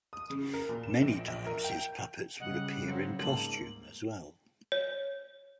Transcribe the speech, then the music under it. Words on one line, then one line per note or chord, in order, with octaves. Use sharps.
Many times his puppets would appear in costume as well.
D#6
C#3
A#4
A#2
E7
A#1
A#1
A#4
G5
C#3 G3 D#5 F#5
F#3 C4
G#2 A#3 A5 F#7
C#5